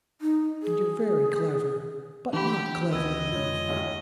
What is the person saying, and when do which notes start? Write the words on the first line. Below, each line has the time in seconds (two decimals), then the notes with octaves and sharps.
And you're very clever, but not clever enough.
0.21 D#4
0.63 G#4
2.33 D3 E3 D4 G4 B5
2.92 G#1 D2 B3 D#5 E6 G#6
3.32 F2 D3 G#3 F4 C#5
3.69 A1 D#2